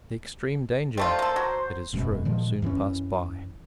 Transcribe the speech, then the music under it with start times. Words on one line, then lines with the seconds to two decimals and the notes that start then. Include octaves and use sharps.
The extreme danger, it is true, soon passed by.
0.97 G3 A3 F4 C5
1.19 A#3 A4
1.36 F#3
1.93 E1 F#2 B2 G#3
2.25 A#2 D#3 F3 G#3
2.62 F#2 E3 B3 C#4